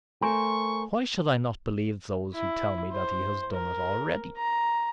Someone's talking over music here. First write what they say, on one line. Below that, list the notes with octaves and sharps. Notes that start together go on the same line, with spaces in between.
Why should I not believe those who tell me that He has done it already?
A3 A#4 C5 G#5 C#6
E4
C5
A#4
A#5